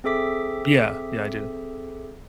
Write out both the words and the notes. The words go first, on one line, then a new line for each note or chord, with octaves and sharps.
Yeah, yeah, I do.
C4 G#4 A4 E5 D6 B6